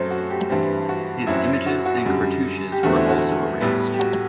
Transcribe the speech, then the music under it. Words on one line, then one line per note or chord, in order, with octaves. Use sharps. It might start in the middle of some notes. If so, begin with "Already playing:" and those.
His images and cartouches were also erased.
Already playing: F#2 F#3 A3 C4 C5
F#4
G4
G2 E3 G3 C4
F#4
F#2 F#3 C4 E4
F#4
F#4
F#2 D3 G3
G4
E2 D3 A3 C4 F#4
E4
F#4
A2 G3 B3
G4
F#4